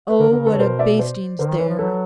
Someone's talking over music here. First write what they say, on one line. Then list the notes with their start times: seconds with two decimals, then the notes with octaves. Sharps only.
Oh, what a basting's there!'
0.09 B4
0.20 D3 A#4
0.30 D3
0.33 A#4
0.39 C#3
0.46 D3 A4 B4
0.53 C#5
0.60 B2 A#4 C5
0.79 D5 E5
0.99 C5 D5
1.39 D3 A#4 C5
1.49 D#3
1.59 E3 B4 C#5
1.69 F3
1.79 F#3 A4 B4